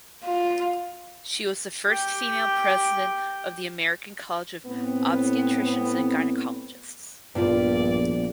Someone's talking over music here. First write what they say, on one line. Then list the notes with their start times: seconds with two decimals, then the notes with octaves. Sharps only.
She was the first female president of the American College of Obstetricians and Gynecologists.
0.24 F4
1.87 G4 G5
4.65 A2 B3 C4
7.35 A#1 G2 G3 B3 F4 D5